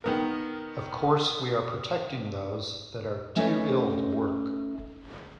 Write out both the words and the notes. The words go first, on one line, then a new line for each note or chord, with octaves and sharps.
Of course we are protecting those that are 'too ill to work'.
D#3 B3 A#4
A3 C#4 D#4 A4 B4 C#5